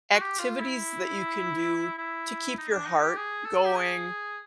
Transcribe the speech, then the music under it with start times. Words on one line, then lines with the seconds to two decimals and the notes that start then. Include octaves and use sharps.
activities that you can do to keep your heart going
0.12 F#4
0.20 G4
0.39 F4
0.60 E4
1.98 E4
2.58 D#4
2.72 D4
2.86 D#4
3.01 G4
3.16 G#4
3.45 A4
3.65 G4
3.75 G#4